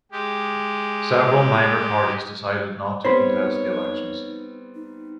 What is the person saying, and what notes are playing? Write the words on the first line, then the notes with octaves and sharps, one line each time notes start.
Several minor parties decided not to contest the elections.
G#3 G4
G3 B3 C4 D#4 C5 C#5 B5
D#4